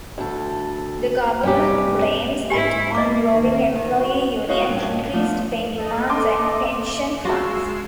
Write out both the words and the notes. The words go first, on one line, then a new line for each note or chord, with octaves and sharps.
The government blames it on growing employee union increased pay demands and pension funds.
D2 A4
G2 C3 G3 C#4 G4
G#2 E4 G4 G#5 B5
A#3 D#5 D6
D#2 A#3
D#3
F#4
F#4 C5 C#5 D#5 F5 F#5
G2 A#2
F3 A3 B3 D4 D#4
A4 D#5
C6 D6
G#3 F4 F#4 E6 C7